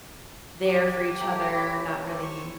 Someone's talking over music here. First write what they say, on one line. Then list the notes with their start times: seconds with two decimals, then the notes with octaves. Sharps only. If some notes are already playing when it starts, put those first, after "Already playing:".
there for each other, not really
0.65 G4 D#5
1.20 A3 G5 A#5
1.54 E4 C#5 E5
2.09 G4 C5 A5
2.22 C#6